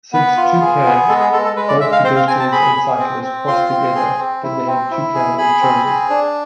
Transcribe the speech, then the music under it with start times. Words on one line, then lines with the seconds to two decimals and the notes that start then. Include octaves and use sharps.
Since "two-can", both pedestrians and cyclists, cross together, the name "toucan" was chosen.
0.13 B3 B4
0.37 F4
0.62 G#4
0.85 B3
1.08 G#3 A4
1.21 G#4
1.33 G#3 A4
1.45 A4
1.56 G#3 B4
1.68 D5
1.80 G#3 E5
1.92 F5
2.04 C4 C5
2.16 F5
2.27 C4 G#5
2.40 A5
2.52 G#4 B5
2.76 G#4
2.99 C4
3.23 C4
3.47 F4 C6
3.71 C4
3.95 G#4
4.18 C4
4.43 E4
4.67 C4
4.91 E4
5.14 G#4
5.38 G#4 B5
5.61 C4
5.86 G#4
6.10 D4